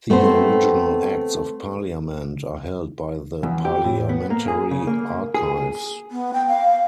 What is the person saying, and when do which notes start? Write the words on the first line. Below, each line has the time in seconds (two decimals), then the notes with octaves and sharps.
The original Acts of Parliament are held by the Parliamentary Archives.
0.10 A3 B3 C4 C5
3.43 E2
3.65 G4
3.84 A2
4.09 B3
4.30 A#3
4.48 G#4
4.71 C#3
4.87 A#3
5.34 G#4
6.11 B3
6.33 G5
6.48 F5